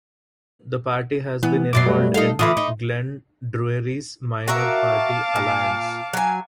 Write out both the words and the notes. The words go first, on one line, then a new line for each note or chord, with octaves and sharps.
The party has been involved in Glenn Druery's Minor Party Alliance.
E3 B3
F#2 B2 F#3 D6 A6 C7
G3 A3
D#4 A4 F5
D3 E3 F4 B5 D6 D#6
D#4
F#4 A#4 E5 F5 A5 D6
A#2
F#3 G#5